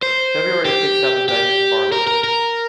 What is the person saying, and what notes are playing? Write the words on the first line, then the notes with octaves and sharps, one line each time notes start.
February takes out the diaper’s barley.
C5
G4
G4
A#4
A#4
A#4